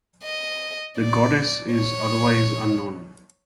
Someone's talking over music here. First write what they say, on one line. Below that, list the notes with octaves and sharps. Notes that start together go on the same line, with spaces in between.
The goddess is otherwise unknown.
D#5
D5
C#5